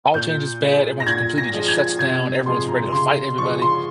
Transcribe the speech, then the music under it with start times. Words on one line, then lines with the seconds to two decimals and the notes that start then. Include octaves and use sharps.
All change is bad. Everyone just completely just shuts down. Everyone's ready to fight everybody.
0.14 A#2 G6
0.61 G#3
1.00 A#6
1.06 A#2 G#6
1.38 A#6
1.53 F3 G#3
1.68 G#6
1.99 C3 G#6
2.46 F3 G#3 C6
2.68 A#5
2.92 C#3 C6
3.38 F3 G#3 C#6
3.62 C6